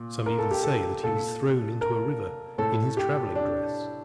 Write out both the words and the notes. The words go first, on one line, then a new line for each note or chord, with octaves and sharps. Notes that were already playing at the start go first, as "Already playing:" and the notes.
Some even say, that he was thrown into a river, in his travelling dress.
Already playing: A#2
A#4
A4
G4
A4
A#2 A4
A#4
A2 A4
G4
D4